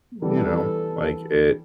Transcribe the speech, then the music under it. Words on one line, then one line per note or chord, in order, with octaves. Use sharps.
you know, like, it, um,
E3 G3 B3 A4